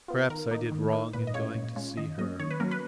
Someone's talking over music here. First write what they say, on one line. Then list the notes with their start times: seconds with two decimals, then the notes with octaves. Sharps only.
Perhaps I did wrong in going to see her.
0.08 B3 F4
0.30 D#3 A#4
0.51 A#3 D#4
0.72 D#3
0.92 A#3 D#4
1.13 A#2 B4
1.27 D#5
1.34 G#3 C#4 F4 C#5
1.55 A#2
1.76 G#3 C#4 F4
1.97 D#3 D#5
2.18 F#3 A#3 C#4 D#5
2.39 D#3 C#5
2.51 B4
2.60 F#3 A#3 C#4 A#4
2.71 B4